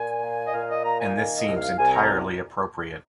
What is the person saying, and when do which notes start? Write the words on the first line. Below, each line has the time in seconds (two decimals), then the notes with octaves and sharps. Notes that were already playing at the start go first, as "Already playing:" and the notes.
And this seems entirely appropriate.
Already playing: A#2 G#5
0.23 A#3
0.48 D#5
0.54 A#2 F5
0.70 D#5
0.84 A#3 A#5
1.01 G#5
1.15 D#3 G#5
1.37 D#5
1.46 C2
1.56 F5
1.78 C2 G#5
1.93 A#5